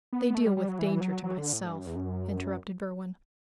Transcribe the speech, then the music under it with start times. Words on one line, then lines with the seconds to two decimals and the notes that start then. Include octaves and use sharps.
"They deal with danger to myself," interrupted Berwin.
0.13 B3
0.35 A3
0.46 G3
0.57 G3
0.69 F#3
0.79 E3
1.01 F#3
1.24 F#3
1.38 D3
1.53 A2
1.67 G2
1.77 F#2
1.86 E2
1.96 F#2